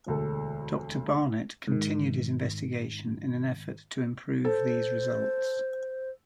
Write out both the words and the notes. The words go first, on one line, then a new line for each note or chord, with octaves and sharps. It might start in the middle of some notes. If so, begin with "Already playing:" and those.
Doctor Barnett continued his investigation in an effort to improve these results.
E1 D2 A4
G#2 D#3
A4 C5